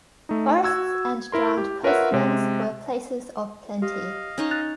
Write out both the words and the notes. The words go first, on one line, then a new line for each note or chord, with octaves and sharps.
Forests and drowned coastlands were places of plenty.
A3 D#4
F#4 E6 G#6
E4 A#4 C6
G4
F4 A#4 B4 C#5 E5 F#5
C3 G#3
G4 D#5 F5
C#4 D#4 C#6
F#6 A6 F7